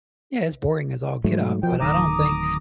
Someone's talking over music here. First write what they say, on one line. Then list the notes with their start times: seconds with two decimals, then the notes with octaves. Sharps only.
yeah, it's boring as all get up, but I don't think
1.24 G#2 F#3 A3
1.63 F#2 B2 F3 G5
1.81 D1 D#3 A#5 D6 D#6